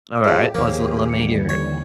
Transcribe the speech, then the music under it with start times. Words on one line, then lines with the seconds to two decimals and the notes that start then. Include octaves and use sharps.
Alright. Let's l let me hear it.
0.24 F2 A2 G4 G#4 E5
0.55 D#2 F3 A#3 G4 G#4 A#4 C5 C#5
1.09 D3 E3 G3 C#7
1.49 C#5